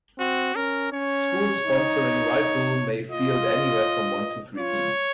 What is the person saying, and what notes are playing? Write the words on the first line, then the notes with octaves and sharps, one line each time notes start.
Schools sponsoring rifle may field anywhere from one to three teams.
C4 F#4
C#4 A#4
C#4 C#5
D#4
F4 D#5
F4 C#5